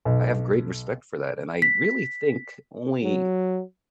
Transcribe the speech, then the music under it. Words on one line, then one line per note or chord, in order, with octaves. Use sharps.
I have great respect for that. And I really think only
B1
B6
F#3